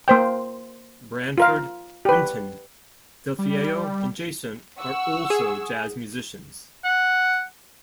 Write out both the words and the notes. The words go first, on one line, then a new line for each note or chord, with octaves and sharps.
Branford, Wynton, Delfeayo, and Jason are also jazz musicians.
A#3 C5 G5
F4 A#4 F5
G4 B4
G3
F#5 C#6 E6
G#4
F#5